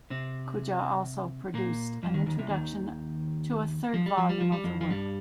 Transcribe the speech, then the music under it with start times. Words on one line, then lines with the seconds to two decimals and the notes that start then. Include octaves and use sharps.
Kujau also produced an introduction to a third volume of the work.
0.10 C3 C4
1.54 A#2 A#3
2.03 F2 F3
2.14 D#2 D#3
2.26 D#2 D#3
2.39 C2 C3
2.50 D#2 D#3
3.94 F3
4.06 G3
4.18 F3
4.29 G3
4.40 F3
4.52 G3
4.64 F2 F3
4.81 F3
4.90 G2 G3